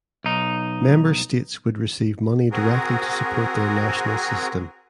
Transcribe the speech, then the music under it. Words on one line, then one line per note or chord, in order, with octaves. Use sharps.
Member States would receive money directly to support their national system.
B1 D#4
C4 F#4 G#4 A#4